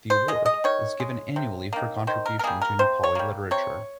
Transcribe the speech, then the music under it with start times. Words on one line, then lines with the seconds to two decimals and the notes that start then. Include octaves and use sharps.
The award is given annually for contribution to Nepali literature.
0.10 C5
0.28 G#3 D#5
0.46 D#5
0.64 D#3 C#5
1.00 G#3
1.36 C3
1.73 D#3 A#3
2.07 D#3 C5
2.26 A#4
2.39 A#4
2.44 G3 A#3 G#4
2.62 A#4
2.79 C3 C5
3.04 C#5
3.15 G3 A#3
3.51 C3 C#5